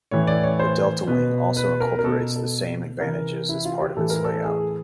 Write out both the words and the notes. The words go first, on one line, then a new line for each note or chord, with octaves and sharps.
The delta wing also incorporates the same advantages as part of its layout.
A2 E3 C#5
D5
C#5
C5
B2 B4
B4
A#4
A#4
B2 A4
A4
C3 E3 A#4
E4
F4
G4
A2 E3 A4
A#4
A4
G#4